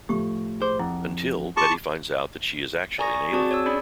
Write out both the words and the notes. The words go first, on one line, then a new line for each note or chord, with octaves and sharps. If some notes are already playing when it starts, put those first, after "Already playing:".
Until, Betty finds out that she is actually an alien.
A2 F3 A3 G4 C#6
G#4 C5
F2 E4 F#5
F4 G#4 A5 C6 C#6
D5 G#5 A#5 C#6 D#6 A#6
C#6
C4 F#4 G#4 D5 A5 D6
C#5 E6
C#4 D4 G#4 D5 B5